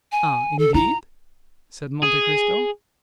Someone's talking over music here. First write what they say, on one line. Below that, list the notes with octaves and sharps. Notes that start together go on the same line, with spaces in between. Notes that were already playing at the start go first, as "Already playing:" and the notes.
"Ah, indeed?" said Monte Cristo.
G#5
A4
E4 A#5
G#4